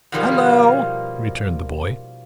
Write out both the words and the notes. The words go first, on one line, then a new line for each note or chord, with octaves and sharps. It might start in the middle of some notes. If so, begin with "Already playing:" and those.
"Hallo!" returned the boy.
B2 D#3 F3 G3 A3 A#3